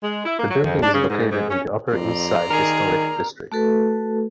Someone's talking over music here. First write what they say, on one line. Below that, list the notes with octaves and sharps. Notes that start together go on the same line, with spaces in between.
The building is located in the Upper East Side Historic District.
G#3
E4
A#3
F#3
F2
D4
C#3
G#2
G#2
C#4
F2 D5 A#5 C6
D#3 G#4 A#4
A3 F#4 A4 B4